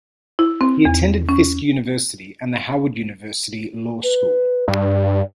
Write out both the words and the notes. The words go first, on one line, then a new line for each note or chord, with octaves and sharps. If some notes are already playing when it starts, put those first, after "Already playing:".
He attended Fisk University and the Howard University Law School.
E4
C4
E2
C#4
B4
G2 D5